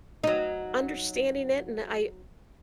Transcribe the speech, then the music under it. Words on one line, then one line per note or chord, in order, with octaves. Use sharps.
Understanding it and I
F#3 D#4